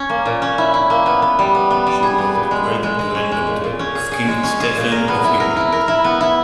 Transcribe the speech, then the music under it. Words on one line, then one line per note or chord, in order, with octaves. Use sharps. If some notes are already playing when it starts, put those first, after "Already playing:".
She was the great-granddaughter of King Stephen of England.
Already playing: C#4
A#3
A#2
C#4
E4
E4
A#3
B3
B3
G3
B3
B3
G3
G#4
B3
A#2
G#3
A#2
G#3
G#3
C#4
G#3
A#2
A#2
C#4
G#4
G#4
G#3
C#4
G#4
A#2
A#4
B3
E4
A#4
E4
A#4
E4
B3
E4